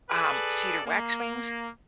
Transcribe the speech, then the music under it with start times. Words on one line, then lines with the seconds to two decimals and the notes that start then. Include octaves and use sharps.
um, cedar waxwings,
0.10 G#4 A4 B4 D5
0.85 A#3